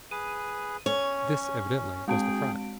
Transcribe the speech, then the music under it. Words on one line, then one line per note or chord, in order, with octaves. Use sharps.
This, evidently, was the front.
G#4 B4 D#7
C#4 C#5
G#3 C4 G#4 G5 D7